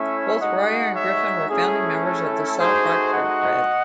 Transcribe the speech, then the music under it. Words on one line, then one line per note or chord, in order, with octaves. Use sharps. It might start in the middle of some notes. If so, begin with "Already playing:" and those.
Both Royer and Griffin were founding members of the soft-rock group Bread.
Already playing: A3 C#4 E4 C#5 E5
G#3 D#4 F#4 D#5 F#5
C#5 E5
A3 C#4 E4 G#4
A4
A3 D#4 F#4 G#4 C5
D#5 F#5